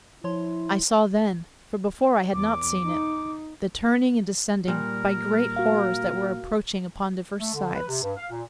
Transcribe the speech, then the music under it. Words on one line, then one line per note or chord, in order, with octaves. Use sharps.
I saw then, for before I had not seen it, The turning and descending, by great horrors That were approaching upon divers sides.
F3 E4 C#5 C6
E2 D6
D#4
A#2 G3 A#4
F#4 F5
A3
D3
B4
C3
G2
F5
A#2